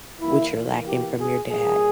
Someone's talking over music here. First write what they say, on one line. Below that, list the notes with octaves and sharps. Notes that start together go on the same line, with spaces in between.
what you're lacking from your dad."
E3 A#3 E4
G4
G#4
A#2 G3 A#3 G#4